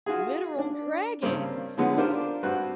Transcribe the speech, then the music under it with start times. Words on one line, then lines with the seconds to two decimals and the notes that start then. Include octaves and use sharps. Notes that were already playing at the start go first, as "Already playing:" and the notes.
literal dragons!
0.06 F4 F#4 G#4
0.59 D4
1.22 G2 C#3 G3 A#3 C4
1.77 D3 F3 G#3 B3 C#4
1.97 D4 F4 G4 A#4 C5
2.43 G2 C4 F#4 B4